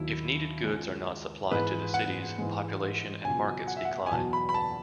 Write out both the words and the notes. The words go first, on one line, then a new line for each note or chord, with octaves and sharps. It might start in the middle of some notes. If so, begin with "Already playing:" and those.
If needed goods are not supplied to the cities, population and markets decline.
Already playing: D#2 D#3 F#3 E4
C#2 C#3 G#3
G#2 E3 G#3 B4
F#5
G#2 E3 G#3
C#2 B2 F#3 G#5
F#5
E5
F#5
G#5
E2 B2 F#3 A5
B5
B5
A5